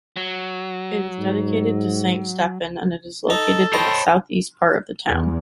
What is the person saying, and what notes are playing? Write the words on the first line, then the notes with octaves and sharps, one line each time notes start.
It is dedicated to Saint Stephen, and it is located in the southeast part of the town.
F#3
G#2
D#4 A4
C5 C#5 D#5 G5 A5 B5
E2